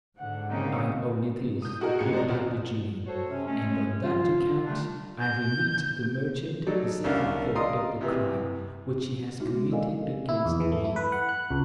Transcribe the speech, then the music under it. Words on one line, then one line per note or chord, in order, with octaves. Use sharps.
"I own it is," replied the genie, "and on that account I remit the merchant the second third of the crime which he has committed against me."
G#2 D3 F#5
C#3 A#3 C4 D#4
D#6 G6
E4 F#4 G#4 A#4 D#5
A1 G#2 F3 C#7
C5 D5 D#5 A#5
D#2 A#2 F#4
F#4 A4 C5 C#5
C3 C#4
G#3 A3 C#4
F4
C3 G3 A3 D4 F4
G6
F#3 D#4 A4 D5
C2 C#4 D4 A#4 F5
D5 D#5 F5 A#5 C6 D#6
C3 E3
G#3 D#4 E4 F#4
A4 A#4 D5 D#5 F5 G#5
E4
E2
E3
A3
E4
B4
F#5
F#6
C#2